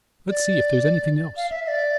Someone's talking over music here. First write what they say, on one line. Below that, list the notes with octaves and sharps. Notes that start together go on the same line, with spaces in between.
"Let's see if there's anything else."
D5
F5
E5
E5
D5